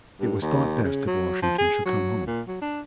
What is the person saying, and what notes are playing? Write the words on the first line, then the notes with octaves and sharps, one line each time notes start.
It was thought best that Washington should come home.
G2
D#2
C#3
F#3
F3
G#4
F#3
A#2
F#3
D4